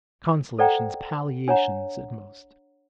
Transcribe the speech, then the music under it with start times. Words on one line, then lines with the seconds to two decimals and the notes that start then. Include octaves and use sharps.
Consolations, palliations at most.
0.59 A4 C5 D5 F#5 G5 A#5
1.48 D4 C#5 F#5 A#5